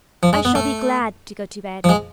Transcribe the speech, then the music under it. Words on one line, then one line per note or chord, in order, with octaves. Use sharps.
"I shall be glad to go to bed."
F3
G#3
B3
A3
F3
G#3